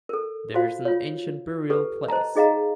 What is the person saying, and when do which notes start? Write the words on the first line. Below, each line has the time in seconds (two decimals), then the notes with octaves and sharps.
There is an ancient burial place.
0.09 A4 A#4
0.54 F4 F#4 C5 F5
0.85 F4 C#5
1.70 G4 A4 B4
2.08 C5 D#5 A5 A#5
2.35 D#4 G#4 D#5 F5 A#5